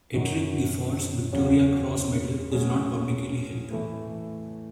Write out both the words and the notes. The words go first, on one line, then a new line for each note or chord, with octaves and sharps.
Edric Gifford's Victoria Cross medal is not publicly held.
F#2 D#3 F#3
E2 C#3 F#3 C#4
A2 F#3 C#4 G#4
A2 E3 A3